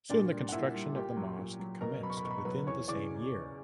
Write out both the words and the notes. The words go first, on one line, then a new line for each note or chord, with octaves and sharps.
Soon the construction of the mosque commenced within the same year.
A#2 D4 D5
G3
F#5
A#2 E4 E5
G3
A#2 G4 G5
F#3
A#2
F#3
B2 A#4 A#5
F#3 B5
C#6
B5
B2 C#6
B5
C#6
F#3 B4 B5
E2 C#5 C#6
C#3 E3 D5 D6